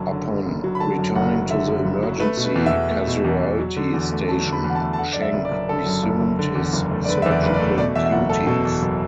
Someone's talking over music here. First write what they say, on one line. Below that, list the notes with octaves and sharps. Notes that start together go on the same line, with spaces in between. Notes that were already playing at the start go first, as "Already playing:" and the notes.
Upon returning to the emergency casualty station, Schenck resumed his surgical duties.
Already playing: F#1 F#2 D3 F#3 A5
D3
F#2
F#1
F#3
B5
D3 A5
F#2
F#1 F#5
F#3
D3 E5
F#2
F#1
F#3
A3 B4
B2
B4
E2
E5
E2
A3
B2
E2
E2
F#3
D3
E2
A3
F#3 A5
D3
B5
E2
F#5
A5
A3
A5
D3 F#5
F#2 D5
E5
F#1
D5
F#1
D3 A4
F#2
F#1
F#1
D3
E2
F#1
A3
D5
D3 B4
E2 E5
D5
F#1 B4
D5
A3
B2 D5
E2 E5
E5
F#1 F#5
A3 A4
B2 A4
E2
F#1